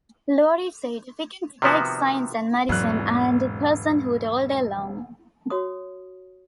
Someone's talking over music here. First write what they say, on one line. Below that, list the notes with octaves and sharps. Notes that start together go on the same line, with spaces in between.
Lourie said, We can debate science and medicine and personhood all day long.
C3 D#3 F3 B3 F#4
E1 G#2 F#3 C4 F#6
F#4 C#5 D#6